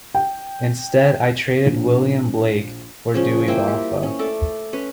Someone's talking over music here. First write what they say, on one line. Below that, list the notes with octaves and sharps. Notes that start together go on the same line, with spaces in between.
Instead I traded William Blake for Dewey Balfa.
G5
A#1
C#3 F3 C#4
A#3 E4 C5 G5
G3
C#4
A3 A4 D5
C#4 B4